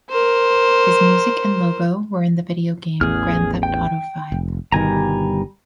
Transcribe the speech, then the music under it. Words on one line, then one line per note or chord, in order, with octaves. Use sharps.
His music and logo were in the video game "Grand Theft Auto V".
A#4 C5
A1 E2 G#4 F6
G5
F1
G1 B2 D#3 G3 G#5 A#5